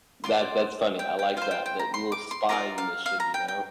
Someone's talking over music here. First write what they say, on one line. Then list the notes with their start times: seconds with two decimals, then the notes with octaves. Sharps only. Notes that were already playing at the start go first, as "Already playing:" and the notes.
that that's funny, I like that that little spying mission, you know.
0.24 F4 D5 C6
0.99 G5
1.19 G5
1.37 F4 C5 F5
1.51 G5
1.66 G5
1.79 A#5
1.94 C6
2.12 D6
2.31 C6
2.49 F4 A#4 D5 A#5
2.78 F5
3.06 F5
3.20 A#5
3.34 G5
3.48 G5